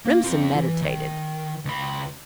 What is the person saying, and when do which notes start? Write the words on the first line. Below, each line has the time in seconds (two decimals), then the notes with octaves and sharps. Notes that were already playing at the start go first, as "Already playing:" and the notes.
Remsen meditated.
0.05 A#3
0.24 C4 F4
0.55 E3
0.82 D#3
1.65 C#2 B5